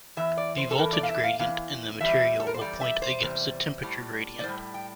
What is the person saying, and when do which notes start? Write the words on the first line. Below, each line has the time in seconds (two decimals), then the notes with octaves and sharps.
The voltage gradient in the material will point against the temperature gradient.
0.17 E2 E3 E5
0.37 D5
0.57 C5
0.71 A4
0.78 E2 E3 A#4
0.93 D5
1.03 F5
1.09 E5
1.23 F5
1.39 E2 E3 F5
2.00 E2 E3 G3 E5
2.40 A4
2.47 A#4
2.54 C5
2.61 E2 C3 G3 D5
2.81 E5
3.02 C5
3.22 E2 C3 G3
3.83 A2 G3
4.39 D5
4.44 A2 G3 C5
4.74 G5